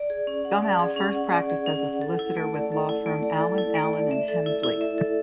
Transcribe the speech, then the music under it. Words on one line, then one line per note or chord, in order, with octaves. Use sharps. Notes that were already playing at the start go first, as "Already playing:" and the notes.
Gummow first practiced as a solicitor with law firm Allen Allen and Hemsley.
Already playing: D5
G#4
C#4
F#5
D5
G#4
C#4
F#5
D5
G#4
C#4
F#5
A4
E4
A3
D5
A4
E4
A3
D5
A4
E4
A3
D5
E5
A4
E4
E4
E5
A4